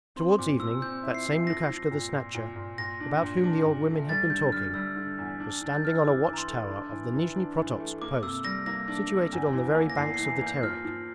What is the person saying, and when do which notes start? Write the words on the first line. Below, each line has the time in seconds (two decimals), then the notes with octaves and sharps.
Towards evening, that same Lukashka the Snatcher, about whom the old women had been talking, was standing on a watch-tower of the Nizhni-Prototsk post situated on the very banks of the Terek.
0.16 C4 C6
0.29 C6
0.39 A#2 D6
0.60 F3 E6
0.82 C4 G6
1.03 E4
1.14 C7
1.26 E4
1.47 F3 A#6
1.69 F3
1.91 A#2
2.13 A#2
2.35 A#2
2.56 A#2
2.78 A#2 A#6
3.00 D4
3.22 A#2
3.44 D4
3.65 A#2
3.87 A3
4.09 G3 A6
4.30 D3 G6
4.52 G3 F6
4.74 G3 E6
4.96 D3
5.18 E2
5.40 D4
5.61 D4 A6
5.75 G6
5.83 D4 F6
5.95 E6
6.05 E3 D6
6.26 E3
6.33 A#5
6.38 C6
6.48 A3
6.70 D4
6.92 E3
7.14 E3
7.36 D4
7.58 E3
7.80 A3
8.02 A#3 D6
8.23 C3 E6
8.44 G3 A#6
8.66 A#3 A#6
8.88 D4
9.10 D4
9.32 E2
9.53 E3
9.75 A#3
9.90 A#6
9.97 E2 C7
10.14 E3 C7
10.41 A#3
10.47 G6
10.63 F3 F6
10.85 F3